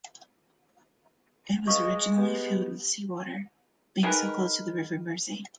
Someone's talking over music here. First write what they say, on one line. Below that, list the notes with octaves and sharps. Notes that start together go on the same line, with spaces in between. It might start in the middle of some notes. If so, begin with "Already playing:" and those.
It was originally filled with sea water, being so close to the River Mersey.
G#3 B4 D#5 F5 C#6
B3 G4
D#3 G#3 A#4 B4